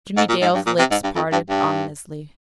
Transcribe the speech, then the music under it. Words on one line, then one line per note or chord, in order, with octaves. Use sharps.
Jimmie Dale's lips parted ominously.
G#2
A#2
G#2
G2
A#2
C3
G#2
G2
F2
G2
G2